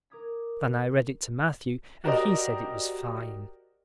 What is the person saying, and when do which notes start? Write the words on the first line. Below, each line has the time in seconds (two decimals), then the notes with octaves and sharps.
Then I read it to Matthew and he said it was fine.
0.10 A#4 D6 D#6 G#6 B6
2.04 F#4 G4 A#4 C5 D5 D#5